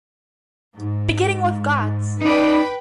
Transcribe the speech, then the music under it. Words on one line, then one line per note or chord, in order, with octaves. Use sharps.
Beginning with Guards!
G#2
D#4 B4 D5 G5 B5